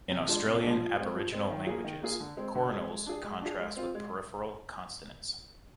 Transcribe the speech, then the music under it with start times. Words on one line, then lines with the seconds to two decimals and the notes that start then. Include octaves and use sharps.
In Australian Aboriginal languages, coronals contrast with peripheral consonants.
0.11 C3
0.27 F3 G#3 D4
0.45 C3
0.62 F3 G#3 D4
0.81 F3
0.97 G#3 C4
1.16 F3
1.32 G#3 C4
1.51 D#3
1.67 A#3 F4 G#4
1.84 D#3
2.03 A#3 F4 G#4
2.20 D3
2.37 G#3 C4
2.55 D3
2.72 G#3 C4
2.90 G#3
3.07 D4 G#4
3.24 G#3
3.42 D4 G#4
3.60 G#3
3.76 C4 F4
3.95 G#3